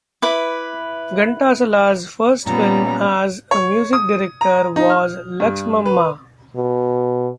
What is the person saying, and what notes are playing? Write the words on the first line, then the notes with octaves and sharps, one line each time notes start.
Ghantasala's first film as a music director was "Laxmamma".
E4 B4 D6
A#2 G3 B3 C#4 A#5
C#5
D#6
A#5
D#4
F6
G2
B4
B2